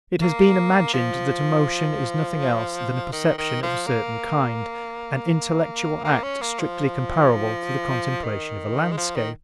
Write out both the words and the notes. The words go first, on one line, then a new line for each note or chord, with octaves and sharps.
It has been imagined that emotion is nothing else than a perception of a certain kind, an intellectual act strictly comparable to the contemplation of a landscape.
A#3
F3
D#3
D#3
F3
A#3
A#3
C#4
A#3
F3
D#3
G#3
F3
D#3